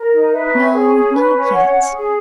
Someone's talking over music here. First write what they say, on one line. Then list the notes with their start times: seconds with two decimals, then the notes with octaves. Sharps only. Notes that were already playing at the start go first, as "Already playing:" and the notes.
'No, not yet.
Already playing: A#4
0.12 D#4
0.32 B4 E5
0.52 C#4
0.72 G#4
0.92 C#4
1.13 B4
1.32 C#4
1.52 C#5 F#5
1.73 C#4
1.92 G#4